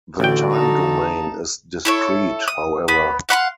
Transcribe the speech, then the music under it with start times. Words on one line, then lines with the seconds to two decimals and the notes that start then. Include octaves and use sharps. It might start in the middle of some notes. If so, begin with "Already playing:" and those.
The time domain is discrete, however.
0.20 A1 D3 F#4 D5 G5
0.51 D#4 A5
1.85 E4 A4 C#5
2.48 D#6
2.88 B3 B5
3.29 F5 F#5 B5 C6